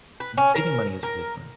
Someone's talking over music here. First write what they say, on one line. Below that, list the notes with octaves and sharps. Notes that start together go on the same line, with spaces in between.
saving money is really fun.
B4
C#4
A#4
A#4